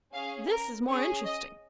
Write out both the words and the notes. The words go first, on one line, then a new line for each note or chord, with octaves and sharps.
This is more interesting.
C#4 G#4 F5
A#4
C#4 G#4 C#5
D#5